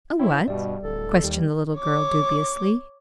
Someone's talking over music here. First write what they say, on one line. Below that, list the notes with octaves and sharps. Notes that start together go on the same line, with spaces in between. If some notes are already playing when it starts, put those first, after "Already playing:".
"A--what?" questioned the little girl, dubiously.
E4 C5 C#5 G5
G2 B2 G3 D5 E5
D1 A4
D#2 G3
C#5 D6